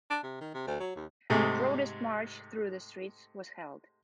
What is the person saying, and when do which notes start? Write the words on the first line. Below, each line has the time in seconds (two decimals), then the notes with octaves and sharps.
A protest march through the streets was held.
0.10 D4
0.23 C3
0.41 D#3
0.54 C3
0.67 D2
0.80 F#3
0.96 D#2
1.30 G#2 C3 A3 G#4